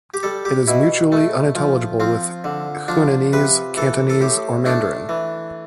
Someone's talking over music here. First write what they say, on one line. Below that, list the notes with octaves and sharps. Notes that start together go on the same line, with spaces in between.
It is mutually unintelligible with Hunanese, Cantonese, or Mandarin.
G4
G3 A4
G4
B2 E4
A3
F3
F3 C4
D3
F3 D4
C3 B4
E3 A4
A4
A2 G4
A3 D4
E3